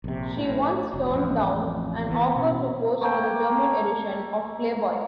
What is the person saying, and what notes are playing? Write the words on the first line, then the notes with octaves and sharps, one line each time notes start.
She once turned down an offer to pose for the German edition of "Playboy".
A#1 C3
A2
F1
A1 F2
E3 B3
B2 C#4
A3 A#3 G5